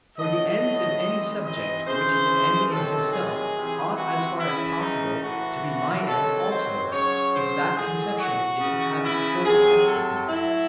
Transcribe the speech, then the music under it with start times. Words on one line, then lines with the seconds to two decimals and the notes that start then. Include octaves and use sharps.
For the ends of any subject which is an end in himself ought as far as possible to be my ends also, if that conception is to have its full effect with me.
0.18 A2 F#3 D#5
1.02 C3 E3
1.45 D#5
1.87 C#3 E3 C5
2.71 C3 D#3 F#3 A4
3.13 G#4
3.55 C3 E3
3.97 F#4
4.39 C#3 E3 E4
4.81 D#4
5.23 A2 E3 F#4
6.08 C3 D#3 F#3 A4
6.50 C5
6.91 C#3 F#3 C#5
7.35 C5
7.76 A2 F#3 G#4
8.18 F#4
8.60 C#3 E3
9.03 E4
9.44 C3 F#3 G#4
9.87 A4
10.28 A2 F#3 E4